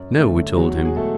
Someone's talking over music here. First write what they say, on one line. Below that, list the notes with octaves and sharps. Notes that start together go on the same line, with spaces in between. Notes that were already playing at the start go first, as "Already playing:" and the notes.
"No," we told him.
Already playing: F#2
D3 A3
E2 F#3 F#4
F#4
G#4
B2 G#3 A3 A4